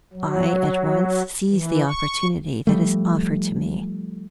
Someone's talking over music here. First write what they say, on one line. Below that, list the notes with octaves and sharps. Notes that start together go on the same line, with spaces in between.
I at once seize the opportunity that is offered to me.
F#3
E3
C#6
F3 G3 A3